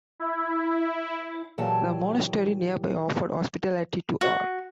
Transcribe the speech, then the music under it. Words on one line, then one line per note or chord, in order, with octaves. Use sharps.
The monastery nearby offered hospitality to all.
E4
A#2 E3 F#3 G4 G#4 A5
F#4